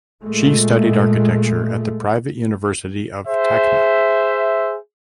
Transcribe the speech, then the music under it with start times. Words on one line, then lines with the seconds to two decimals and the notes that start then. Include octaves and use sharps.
She studied architecture at the Private University of Tacna.
0.22 A#2 G#3 A3
3.28 G#4 C5 E5